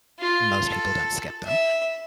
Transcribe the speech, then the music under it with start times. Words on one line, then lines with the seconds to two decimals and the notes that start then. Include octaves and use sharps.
most people don't skip them,
0.19 F4
0.65 A4
1.46 E5